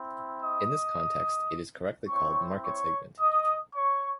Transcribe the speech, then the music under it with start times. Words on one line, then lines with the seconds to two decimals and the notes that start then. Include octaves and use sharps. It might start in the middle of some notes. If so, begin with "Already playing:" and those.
In this context it is correctly called Market segment.
Already playing: C4 E4
0.41 D#5 D#6
2.08 C4 E4 C#5 C#6
2.64 C#5 C#6
3.19 D#5 D#6
3.74 C#5 C#6